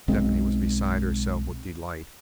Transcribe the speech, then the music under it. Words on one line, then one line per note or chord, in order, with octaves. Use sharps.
Stephanie was beside herself with delight.
B1 G#3 C4